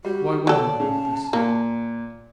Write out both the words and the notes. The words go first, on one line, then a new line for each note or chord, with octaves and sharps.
Why wonder about this?
G3 F#4
F#3 A4 D5 A5
C#3
A#2 A#3